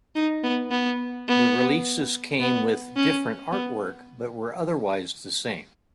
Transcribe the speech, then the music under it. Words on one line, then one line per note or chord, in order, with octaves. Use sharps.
The releases came with different artwork, but were otherwise the same.
D#4
B3
B3
B3
B3
C#4
B3